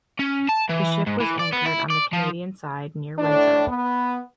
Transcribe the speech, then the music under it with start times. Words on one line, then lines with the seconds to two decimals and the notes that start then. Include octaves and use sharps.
The ship was anchored on the Canadian side near Windsor.
0.19 C#4
0.49 A5
0.69 E3
1.06 G#2
1.20 E3
1.39 D5
1.53 B3
1.66 E4
1.90 D5
2.13 F3
3.19 A2 D4
3.68 B3